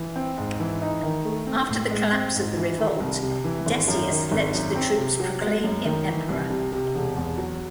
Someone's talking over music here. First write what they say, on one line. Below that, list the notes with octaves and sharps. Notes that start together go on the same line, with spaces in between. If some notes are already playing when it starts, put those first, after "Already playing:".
After the collapse of the revolt, Decius let the troops proclaim him Emperor.
Already playing: E3
C4
G#2
E3
D#4
D#3
A3
C4
A2
G#3
C4
G#2
E3
D#3
C2
C3
E3
G#1
F#2
D#3
G#1
F#2
C4
C3
F#3
G#3
F#2
D#3
E3
C2
C3
C3
E1
E2
F#3